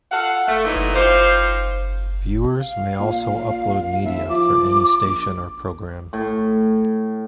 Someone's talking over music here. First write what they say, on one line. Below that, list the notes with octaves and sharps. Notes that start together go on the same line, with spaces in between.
Viewers may also upload media for any station or program.
F4 A4 F5 F#5
A3
A#2 E3 F#3 A#3 D#4 E4
D#4 F4 G4 C5
F5
A#2
D#2 E5
F3 D6
A#1 D6
A2